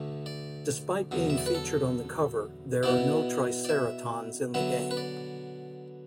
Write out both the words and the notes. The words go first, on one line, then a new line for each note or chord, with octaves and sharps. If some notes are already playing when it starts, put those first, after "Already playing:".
Despite being featured on the cover, there are no Triceratons in the game.
Already playing: D2 D3 A3
D5
E2 D3 F#3
E5
D5
B4
A4
B2 B3 E4 D5
D5
E5
D3 F#3 B3 E5
B4
D5